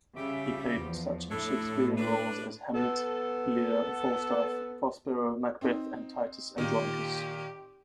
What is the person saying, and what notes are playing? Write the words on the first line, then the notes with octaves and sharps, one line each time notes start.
He played such Shakespearean roles as Hamlet, Lear, Falstaff, Prospero, Macbeth and Titus Andronicus.
C#3 G3 G4 E5
E2 F3
A2 D4 A4 C#5
D4 B4
B3 A4
C4 D#4
A#2 D#3 G4